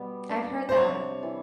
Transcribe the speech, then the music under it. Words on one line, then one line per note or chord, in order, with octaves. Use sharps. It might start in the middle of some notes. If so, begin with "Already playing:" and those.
I've heard that.
Already playing: B2 G3 B3
D4
C5
C3 C#5
E3